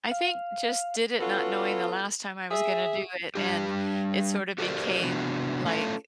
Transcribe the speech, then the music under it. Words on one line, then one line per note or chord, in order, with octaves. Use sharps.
I think just did it not knowing the last time I was gonna do it and it sorta became like,
F5
B3 C#4 F4 F#4 A4 B4
G#4 E5
G3 D4 G4
F#4 G4 A4 A#4 C5 D5
C3 B3 D4 F#4
A3 C#4 D#4 F4 A4